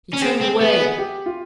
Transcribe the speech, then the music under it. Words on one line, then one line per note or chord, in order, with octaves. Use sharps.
He turned away.
C#4
C4 G#4
C4
B3 G#4
G#4
G4
F4